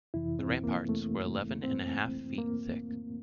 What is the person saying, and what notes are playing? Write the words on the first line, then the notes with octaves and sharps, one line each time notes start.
The ramparts were eleven and a half feet thick.
F2 C3 E3 E4
C4
A#3
A3
C4
A#3